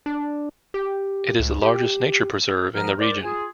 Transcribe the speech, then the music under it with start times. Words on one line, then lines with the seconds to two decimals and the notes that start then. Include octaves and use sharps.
It is the largest nature preserve in the region.
0.06 D4
0.74 G4
1.40 C#2
1.62 G4
2.74 F3 B3 A#4 F6
3.00 A#4 C5 D5
3.24 F4 G#4